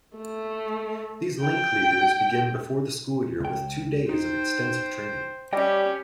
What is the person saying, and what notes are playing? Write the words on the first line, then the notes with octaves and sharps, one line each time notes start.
These Link Leaders begin before the school year with two days of extensive training.
A3
G5
C#2 G5
D#4 C5 G5
G3 C#4 G4 D#5 G5